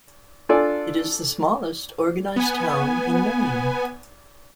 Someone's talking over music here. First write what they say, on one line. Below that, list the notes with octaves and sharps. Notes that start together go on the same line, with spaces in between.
It is the smallest organized town in Maine.
D4 F4 A4 D5 G#5
B3 G#5